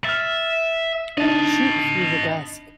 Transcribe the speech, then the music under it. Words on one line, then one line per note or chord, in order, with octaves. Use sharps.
Shoot through the desk.
E5 F6 A6
D4 D#4 D#5 A5